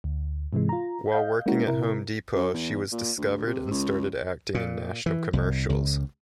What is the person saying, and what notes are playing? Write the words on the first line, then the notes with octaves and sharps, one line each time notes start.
While working at Home Depot, she was discovered and started acting in national commercials.
D2
G#2 C3 E3 G#3
F4 A#5
D#5 F5 G6
G#3 A#3 C#4 E4 F#4 A#4
C3 E4 A#4
F#2
E2
A#2
D2
C3
C#2
A#2
E3
C2
C#2